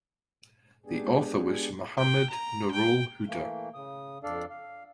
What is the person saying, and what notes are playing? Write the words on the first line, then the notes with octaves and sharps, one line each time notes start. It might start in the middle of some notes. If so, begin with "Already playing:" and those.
The author was Mohammad Nurul Huda.
G#3 B3 D4 G4 G#4
G5
A#5
G5
E3 A3 A#3
C#3 D#6
F2 D4 A4 D5 F5
F5